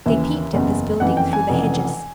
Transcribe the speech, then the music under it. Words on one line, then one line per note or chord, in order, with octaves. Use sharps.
They peeped at this building through the hedges.
D#2 C#3 E3 E5
F#1 E2 C#3
F#1 F2 C#3 E3 F#5
G5
G#5
F1 F2 C#3 E3